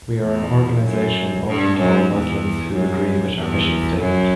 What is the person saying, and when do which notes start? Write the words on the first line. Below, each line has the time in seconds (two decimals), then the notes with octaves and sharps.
We are an organization open to all Muslims who agree with our mission statement.
0.21 E2
0.84 F#2
1.47 G2
1.78 F#2
2.11 E2
2.74 F#2
3.37 E2
4.00 F#2